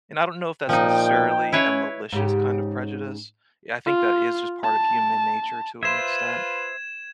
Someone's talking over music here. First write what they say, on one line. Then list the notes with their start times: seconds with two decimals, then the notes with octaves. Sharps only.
and I don't know if that's necessarily a malicious kind of prejudice. Yeah, I think that is just part of human nature to an extent.
0.69 A#2 F3 D#4 G5
1.52 C#4 E4 B4 C#5
2.12 G#2 C#3 G4
3.86 F4
4.63 A5
5.83 F4 B4 C5 E5 G#6 E7